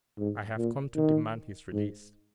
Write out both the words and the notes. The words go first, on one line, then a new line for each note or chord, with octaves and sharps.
"I have come to demand his release."
G#2
A#2
D#3
G#2